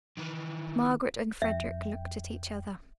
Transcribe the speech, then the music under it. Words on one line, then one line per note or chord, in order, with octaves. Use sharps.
Margaret and Frederick looked at each other.
D#3 E3
F2 E5 G5